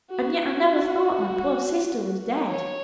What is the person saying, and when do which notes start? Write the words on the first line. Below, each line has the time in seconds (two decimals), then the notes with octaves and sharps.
And yet I never thought my poor sister was dead.
0.11 F#4
2.49 C#5